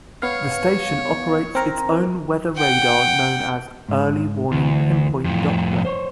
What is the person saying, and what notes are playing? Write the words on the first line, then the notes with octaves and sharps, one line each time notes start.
The station operates its own weather radar known as "Early Warning Pinpoint Doppler".
B3 C#5 F5
C4 A#4 A#5
F#5 G5
G#2
D2 E3
F2 A2
C5 C#5